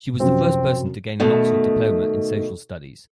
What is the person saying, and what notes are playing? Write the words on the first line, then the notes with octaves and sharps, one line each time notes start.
She was the first person to gain an Oxford diploma in social studies.
F#2 C3 F3 C4
B2 D#3 A3